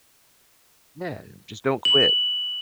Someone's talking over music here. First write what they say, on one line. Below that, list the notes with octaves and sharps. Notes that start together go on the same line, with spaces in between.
Yeah. Just don't quit.
F#7